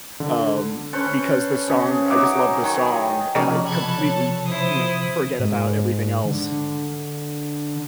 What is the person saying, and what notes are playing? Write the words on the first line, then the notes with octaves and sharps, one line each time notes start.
um, because the song I just love the song and I completely, you know, forget about everything else.
D3
C#4 A4 B4 C5
C#3 G#4
F#3 D#4 E5 D6
D#3 G#5
C3 F3 C#4 D#4 D5
A4 A5 B5 F#6 G#6
C#5
E4 C5 D#6
G#2
D3